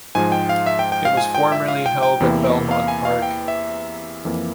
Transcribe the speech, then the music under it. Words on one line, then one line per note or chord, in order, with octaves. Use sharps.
It was formerly held at Belmont Park.
G#2 F3 G#3 G#5
G5
F5
E5
G5
G5
F5
G#5
G5
E5
F5
G5
G5
E2 C3 E3 A#3 E4
F5
G#5
F5
G5
E5
F2 E3 A#3